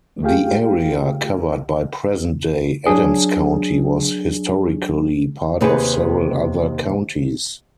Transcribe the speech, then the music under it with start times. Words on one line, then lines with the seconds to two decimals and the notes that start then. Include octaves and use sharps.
The area covered by present-day Adams County was historically part of several other counties.
0.23 A3 F4 G4 G#4 F5 G5
2.86 F#3 D4 G#4
5.61 D#2 C3 G#4 B4